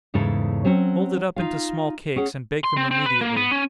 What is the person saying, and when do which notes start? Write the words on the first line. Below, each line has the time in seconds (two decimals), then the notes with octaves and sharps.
Mould it up into small cakes, and bake them immediately.
0.14 E2 G#2 C#3 E4 A4
0.65 F#3 C4 C#4 F4 F#4
1.36 D#4 F4 F5
2.16 C#4 G#4 F#5
2.64 C6
2.77 C4
2.91 C4
3.06 B4
3.21 A#3
3.37 B3
3.51 C#4